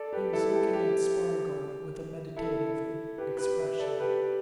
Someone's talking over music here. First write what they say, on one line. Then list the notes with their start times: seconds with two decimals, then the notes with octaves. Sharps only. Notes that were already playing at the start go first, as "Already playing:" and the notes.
He was looking at Spargo with a meditative expression.
Already playing: A4 D5
0.13 G4 B4
0.33 E4 A4
0.53 G4
0.73 G4
2.36 E4 A4
3.18 G4 B4
3.38 G4 B4
3.59 B4 E5
3.79 A4 D5
3.99 G4 B4